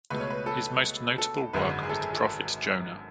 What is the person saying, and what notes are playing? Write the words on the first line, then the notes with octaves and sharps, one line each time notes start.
His most notable work was the "Profit Jonah".
C#2 B2 A3 B4
C#5
B4
A4
A4
G#1 F#2 D3 G#3 B4
G#4
A4
G#4
A4
A4